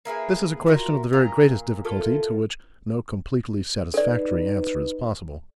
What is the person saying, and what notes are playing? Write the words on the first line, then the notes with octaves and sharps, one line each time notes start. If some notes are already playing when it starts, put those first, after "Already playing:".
This is a question of the very greatest difficulty, to which no completely satisfactory answer is possible.
A#3 E4 G#4 B4
F4 F#4 A#4 E5
A#2 D#5 F5 A#5
E4 F4 A4 A#4
D#4 A4 B4 D5